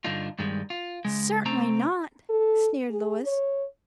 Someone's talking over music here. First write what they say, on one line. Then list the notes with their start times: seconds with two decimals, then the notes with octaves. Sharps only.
"Certainly not," sneered Louis.
0.04 G2 D3 D4 D#4 F4
0.39 G2 D#3 G3 G#3
0.70 F4
1.05 C#2 G#3
1.45 C3 A3 C4 A#5
2.30 A4
2.90 G#4
3.25 C#5